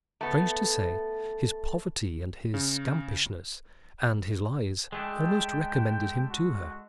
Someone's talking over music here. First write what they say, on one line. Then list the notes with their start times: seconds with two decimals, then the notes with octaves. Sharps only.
Strange to say, his poverty and his scampishness and his lies almost recommended him to her.
0.21 A3 B3
2.54 C#3
4.92 G#3 A3 D4 G#4 G5
6.30 F#4